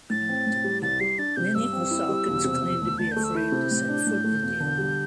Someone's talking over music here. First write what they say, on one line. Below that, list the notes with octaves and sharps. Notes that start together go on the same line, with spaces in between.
Many Osakans claim to be afraid to set foot in the area.
A2 A6
C4
A2
G3
C2 A6
G3 C7
D4 A6
C3 G6
G2 E6
C4
E4
G3
E1
C3
E1
D2
D2 A6
A3 G6
E6
E4 G6
C3
A2
D4
A2
A3
E1
D3
G3